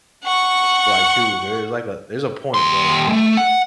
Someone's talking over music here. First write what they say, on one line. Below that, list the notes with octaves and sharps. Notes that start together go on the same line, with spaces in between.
But, like, dude, there's like a there's a point, bro, like,
F#5 C#6
D#2 C6
G#3 A3
F#5